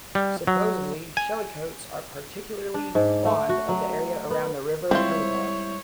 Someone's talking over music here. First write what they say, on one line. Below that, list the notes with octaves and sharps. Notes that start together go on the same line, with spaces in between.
Supposedly, shellycoats are particularly fond of the area around the River Hermitage.
G3
F#3
G#5
D4
G#2
A3
F#4
F#3
B3
G3 G#3 C4 E4 F4 C5 C#5